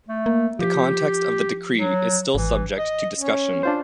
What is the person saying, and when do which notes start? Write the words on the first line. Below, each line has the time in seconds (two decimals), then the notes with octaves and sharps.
The context of the decree is still subject to discussion.
0.08 A3
0.26 A#3
0.59 F3 G4
1.75 F#3
2.35 G#1 E3
2.78 D#5
3.17 C#4
3.63 D4 F4 C5